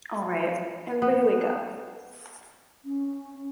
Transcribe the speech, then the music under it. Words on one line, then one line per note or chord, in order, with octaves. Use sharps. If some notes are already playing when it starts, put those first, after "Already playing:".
All right, everybody wake up.
B3
C#4